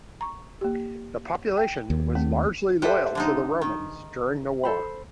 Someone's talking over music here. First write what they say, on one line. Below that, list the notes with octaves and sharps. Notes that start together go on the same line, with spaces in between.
The population was largely loyal to the Romans during the war.
A#5 C#6
A#3 G4
G5
D#2
A3 A#3 C4
G4 A4 B4 C5 E5 F#5
D3 G#3 D#4
D#3
A4 C5 B5